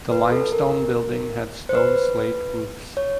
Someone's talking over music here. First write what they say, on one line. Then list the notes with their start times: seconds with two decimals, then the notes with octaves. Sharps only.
The limestone building had stone slate roofs.
0.12 B4
0.32 A4
0.52 A#4
1.69 C5
1.75 B4
2.97 C#5